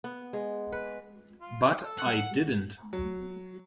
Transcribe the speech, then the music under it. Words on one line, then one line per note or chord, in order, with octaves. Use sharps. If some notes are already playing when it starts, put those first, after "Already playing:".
But I didn't.
B3
G#3
B4
F4
A4
F#5
F#3